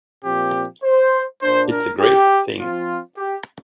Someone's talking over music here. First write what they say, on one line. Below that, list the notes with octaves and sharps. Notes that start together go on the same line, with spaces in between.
It's a great thing.
A#2 F3 C4 G4
C5
A#2 A#3 D4 C5
A#4
G4
F3 C4 F4
G4